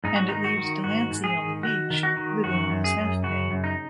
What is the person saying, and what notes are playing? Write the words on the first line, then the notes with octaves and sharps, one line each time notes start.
And it leaves Delancey on the beach, living on his half-pay.
G#2 D#4
F#4
D#3 D#4
F#4
D#3
G#2 F#4
G#2
G#4
D#3
D#3 F#4
D#3
F#4
D#3
F#2 F#4
F#2
G#4
F#2
C#3 F#4
F#2
D#4